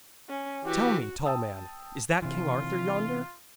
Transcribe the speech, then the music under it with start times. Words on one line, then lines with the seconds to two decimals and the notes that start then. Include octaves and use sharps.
'Tell me, tall man, is that King Arthur yonder?'
0.29 C#4
0.64 E3 F#4 G4
1.25 G5 A5 D#6 E6
2.22 C3 E3 F4